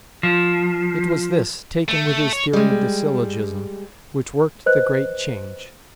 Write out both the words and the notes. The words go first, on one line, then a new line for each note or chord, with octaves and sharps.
It was this, taken with his theory of the syllogism, which worked the great change.
F3
A3
C#5
G3 G#3
B4 C5 D#5 F#6